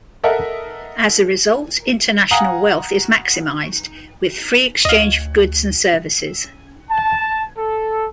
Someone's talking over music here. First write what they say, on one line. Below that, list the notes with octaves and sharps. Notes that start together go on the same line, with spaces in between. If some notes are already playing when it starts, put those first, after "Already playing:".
As a result, international wealth is maximized with free exchange of goods and services.
A4 A#4 D#5 E5 F#5
F5 F#5 G#5 A#5 D#6
D2 D#5 F5
A5
A4